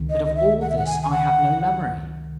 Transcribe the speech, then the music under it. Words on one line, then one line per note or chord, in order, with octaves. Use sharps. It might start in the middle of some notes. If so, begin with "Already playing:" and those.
But of all this I have no memory.
Already playing: C#2 C3 D#3
D#5
D#5
E5
F#5
E5
F#5
G#5
G#5
F#5